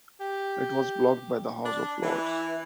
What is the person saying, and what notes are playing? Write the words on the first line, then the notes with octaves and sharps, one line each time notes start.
It was blocked by the House of Lords.
G4
D4
E3